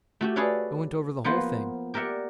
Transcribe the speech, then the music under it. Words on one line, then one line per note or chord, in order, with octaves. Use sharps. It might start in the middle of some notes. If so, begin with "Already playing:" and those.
I went over the whole thing.
A3 F#4 G4
G#4 A4 B4 C#5 D5 F5
F3 A#3 B3 F4 B4 C5
G4 A#4 D5 E5 F#5